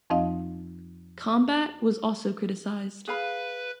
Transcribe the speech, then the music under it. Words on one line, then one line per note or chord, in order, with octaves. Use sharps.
Combat was also criticized.
F2 F3 C4 D#4 D#5 F5
G#4 B4 F5 B5